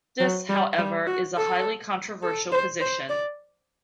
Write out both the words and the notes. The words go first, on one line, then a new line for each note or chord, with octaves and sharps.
This, however, is a highly controversial position.
F#3
G3
G3
F#4
A4
A4
C5
C5
D5